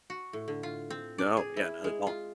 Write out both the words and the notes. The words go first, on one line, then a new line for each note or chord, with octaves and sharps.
No, yeah, not at all.
F#4
A2
D3
F4
C4
D5
G#4
E4
G#3
F4